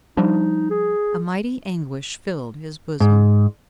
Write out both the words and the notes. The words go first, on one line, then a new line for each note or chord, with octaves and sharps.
A mighty anguish filled his bosom.
F3 G3 D4 D#4
G#4
G#2